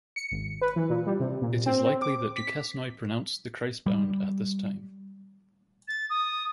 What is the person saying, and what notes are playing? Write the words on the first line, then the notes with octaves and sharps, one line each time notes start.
It is likely that Duquesnoy produced the "Christ Bound" at this time.
C#7
G#1
B4
E3
A#2
G3
C3
A#2
C4
C4
D6
B6
G3
A6
D#6